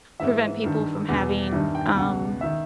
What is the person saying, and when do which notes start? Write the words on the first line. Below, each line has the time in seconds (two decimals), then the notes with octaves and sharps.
prevent people from having, um,
0.20 G#2 E3 E5
0.64 G2 D#3
1.08 E2 B2
1.52 G2 D#3 E5
1.75 G5
1.96 C#2 B2 F#5
2.41 D#3 E5